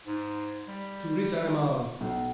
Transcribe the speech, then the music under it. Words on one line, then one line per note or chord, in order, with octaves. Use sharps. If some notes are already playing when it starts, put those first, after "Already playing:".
Tu ris, animal?
G#2
G3
B1